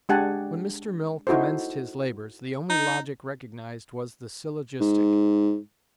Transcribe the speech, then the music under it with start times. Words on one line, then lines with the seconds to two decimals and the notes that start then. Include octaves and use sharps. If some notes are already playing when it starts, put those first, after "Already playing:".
When Mr. Mill commenced his labors, the only logic recognized was the syllogistic.
0.09 G#3 D4 G4 F#5 G#5 A5
1.27 D#4 E4 F#4 A4 C5
2.70 D#4
4.80 G#2